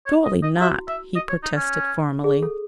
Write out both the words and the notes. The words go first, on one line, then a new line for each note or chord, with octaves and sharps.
'Surely not!' he protested formally.
C#5
D#5
D#5
E4
F#4 E5
E5
D#5
C#5
D#4
C#4
G#4
A4